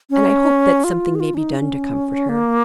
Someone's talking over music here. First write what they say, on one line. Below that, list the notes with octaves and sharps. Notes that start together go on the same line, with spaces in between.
And I hope that something may be done to comfort her.
C#4
F4
G#4
F4
C#4
D#4
C#4
A#3